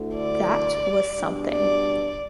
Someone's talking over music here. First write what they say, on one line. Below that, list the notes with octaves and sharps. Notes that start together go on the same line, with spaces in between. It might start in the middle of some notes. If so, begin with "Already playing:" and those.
That was something.
Already playing: D2 D3 A3 E4
D5
B2 G3 D4
D5